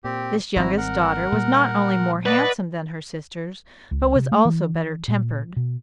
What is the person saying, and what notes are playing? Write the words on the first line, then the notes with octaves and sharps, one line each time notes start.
This youngest daughter was not only more handsome than her sisters, but was also better tempered.
A#2 C4 G4
G#1 G3 C4 E4 F#4 A#5
A#4 F#5
A#2 G3
B4 D5 D#5 F#5
C#2
C3
A3
E3
A#2
B2